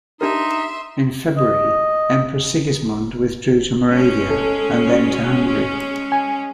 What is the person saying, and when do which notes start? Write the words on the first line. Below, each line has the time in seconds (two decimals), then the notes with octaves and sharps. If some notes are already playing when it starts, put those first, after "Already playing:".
In February, Emperor Sigismund withdrew to Moravia and then to Hungary.
0.21 D4 D#4 G4 A#4 E5 C6
1.38 D#5
3.90 G#3 C#4
4.30 A4
4.87 F#4
6.12 G#5